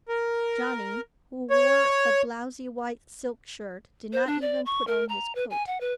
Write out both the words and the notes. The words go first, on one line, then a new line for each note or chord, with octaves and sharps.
Johnny, who wore a blousy white silk shirt, did not even put on his coat.
A#4
C#5
C5
D4
D5
C#6
A#4
A#5
B4
G#5
F#5
B4